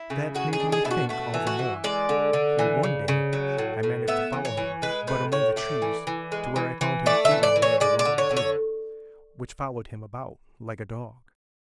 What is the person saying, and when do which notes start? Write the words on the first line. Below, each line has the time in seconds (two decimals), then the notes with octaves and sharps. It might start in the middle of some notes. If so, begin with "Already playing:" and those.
"That made me think all the more, and one day I managed to follow him but among the trees to where I found him feeding one of the wild deer, which followed him about like a dog."
Already playing: E4
0.10 C#3
0.35 G#3 F#4
0.53 G#4
0.60 D4
0.72 G#4
0.85 B2 E4
0.91 F#4
1.09 A3 F#4
1.34 E3
1.47 F#4
1.59 E3
1.84 G#3 D5
2.09 D3
2.33 D3
2.59 E3
2.83 C#3
3.08 C#3
3.33 F#3
3.58 A2
3.83 A2
4.08 B3 E5
4.33 E3
4.45 C#5
4.57 E3
4.82 G#3 B4
5.07 A2 B4
5.32 A2 C#5
5.56 A3 D5
5.82 E3
6.07 E3
6.32 G#3
6.56 E3
6.81 E3
7.06 A3 D5
7.25 E5
7.31 E3
7.43 D5
7.56 E3
7.62 C#5
7.80 G#3 D5
7.99 D5
8.05 D3
8.18 C#5
8.30 D3
8.37 C#5